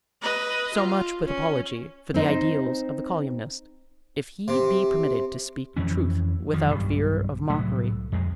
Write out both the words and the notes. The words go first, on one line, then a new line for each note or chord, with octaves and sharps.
So much, with apology, for the ideals of the colyumist, if he be permitted to speak truth without fear of mockery.
B4 D#5
F4
C#4
C4 D#4 C5
C3
F2 E3 C#4
F2 D#3 F3
B1 G2 G3
C2 A2 F#3 A3
F2 G#3